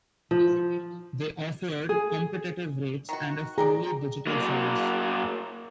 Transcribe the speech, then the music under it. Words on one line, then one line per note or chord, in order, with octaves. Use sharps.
They offered competitive rates and a fully digital service.
F3
G#4
D#3 F#4
G#4 D5 G5 A#5
F#3 A#3